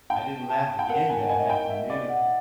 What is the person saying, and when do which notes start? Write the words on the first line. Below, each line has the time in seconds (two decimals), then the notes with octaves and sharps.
I didn't laugh again that afternoon.
0.10 G5 A5
0.50 A5
0.79 G5
0.90 A#4 F#5
1.10 G#5
1.29 D#5 G#5
1.46 G#5
1.50 G5
1.69 D#5 E5
1.90 D5
2.10 F#5